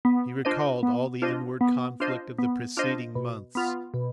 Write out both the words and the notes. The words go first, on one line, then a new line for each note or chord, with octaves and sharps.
He recalled all the inward conflict of the preceding months.
B3
D4 F4 C5 D#5
B3
D4 F4 C5 D#5
B3
D4 F4 C5 D#5
B3
D4 F4 C5 D#5
B2
B3 F4
B2